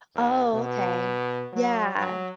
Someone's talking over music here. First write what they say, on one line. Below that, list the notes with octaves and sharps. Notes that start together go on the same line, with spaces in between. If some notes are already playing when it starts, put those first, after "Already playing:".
Oh, okay. Yeah.
D#2
B2
F#3
F#3